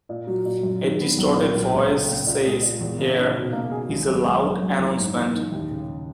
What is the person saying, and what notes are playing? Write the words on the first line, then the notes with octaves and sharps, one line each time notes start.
A distorted voice says Here is a loud announcement!
A#2
F#3
A#2
F#2
D#3
B3
B1
A#2
B1
C#2
C#3
A#3
A#2
G#3
A#2
E2
C#3
D#4
B2
A#3
G#4
G#1
F#2
G#3
F#1
F#2
F#1
G#2
E3
D#4
D#2
C#3